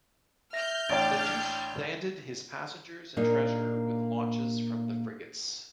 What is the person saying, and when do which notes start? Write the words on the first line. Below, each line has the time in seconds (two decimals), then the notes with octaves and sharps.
Latouche landed his passengers and treasure with launches from the frigates.
0.53 E5 F6 G6 A#6
0.89 A1 D4 C#5 G5 A6 D7
3.16 A#2 A#3 D4 D#4